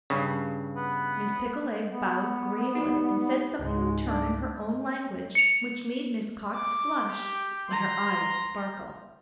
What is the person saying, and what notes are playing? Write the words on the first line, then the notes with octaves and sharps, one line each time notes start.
Miss Picolet bowed gravely and said something in return in her own language which made Miss Cox flush, and her eyes sparkle.
G2 C#3
B3
B3
D#4 G4 D5
C#2 G#2 G#3
D4
C#7 F7
D6
G4
A#5 C6